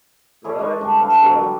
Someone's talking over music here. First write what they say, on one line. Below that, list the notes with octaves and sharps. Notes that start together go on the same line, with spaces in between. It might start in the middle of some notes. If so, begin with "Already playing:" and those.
right? So,
E4 G#4 C#5 D5
G#3 B4 C#6
D3 G3 G#3 D4
A4 B4 F5
D3 F#3
F#3 G3